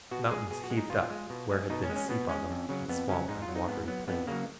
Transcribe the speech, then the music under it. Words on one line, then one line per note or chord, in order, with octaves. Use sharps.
Mountains heaved up where had been sea bottom and swamp and watery plain.
B2 F#4
G#3 G#4
B2 G#4
F#4
G#3
D#4
B2 F4
G#3
B2
G#3
B2 D#4
C#4
G#3
C#4
B2 B3
G#3 C#4
F2
C#3 F#3
F2 B3
C#3 F#3 C#4
G#2 D#4
F4
F#3
D#4
G#2 B3
F#3 B3
F2 B3
C#3 F#3 A#3